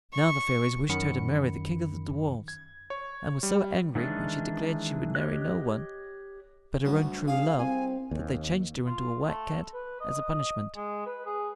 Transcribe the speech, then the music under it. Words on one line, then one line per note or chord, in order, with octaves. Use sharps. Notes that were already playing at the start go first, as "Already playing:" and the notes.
Now, the fairies wished her to marry the King of the Dwarfs, and were so angry when she declared she would marry no one but her own true love, that they changed her into a White Cat as a punishment.
C#6
F#2 D#3 B5 C#7
G#6
C#5
G3
D#3 E3 G#3 C#4 D4
G4 C#5 D#5 F#6
D2 G2 F#3 B3
B3 D4 G#4 F5
C2 C4 G#5
D#2
F4
A3
B4
D#5
G#3
B4
G#4